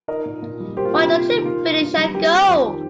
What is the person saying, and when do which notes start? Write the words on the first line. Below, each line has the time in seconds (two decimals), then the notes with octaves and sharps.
Why don't you finish and go?
0.08 D#4 A#4 D#5
0.25 A#2
0.42 A#2
0.60 G3
0.77 A#3 G4 C5
0.85 F4
0.94 C3 G4
1.03 F4
1.11 C3
1.28 D#3
1.45 A#3 F4
1.63 D#4
1.80 G2
1.97 G3
2.14 G3 G4
2.31 C4
2.48 F2
2.65 D#3